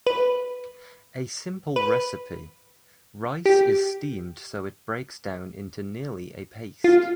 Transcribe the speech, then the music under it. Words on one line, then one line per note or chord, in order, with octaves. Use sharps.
A simple recipe: Rice is steamed so it breaks down into nearly a paste.
B4
B4
G4
F4